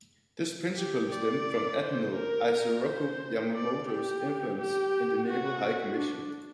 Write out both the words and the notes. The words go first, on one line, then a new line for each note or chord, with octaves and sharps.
This principally stemmed from Admiral Isoroku Yamamoto's influence in the Naval High Commission.
G4
D5
C5
A#4
C5
D5
G4
G4
F#4
D4